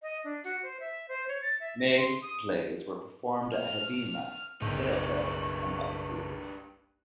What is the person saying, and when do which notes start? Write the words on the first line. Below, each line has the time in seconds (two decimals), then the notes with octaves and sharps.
Megged's plays were performed at Habima, Ha-Ohel and other theaters.
0.02 D#5
0.24 D4
0.44 F#4
0.63 C5
0.80 E5
1.08 C5
1.28 C#5
1.42 A6
1.60 E5
1.79 A#6
1.96 C6
2.22 D#6
3.55 F6
4.62 F#1 B1 G2 D#4 C#6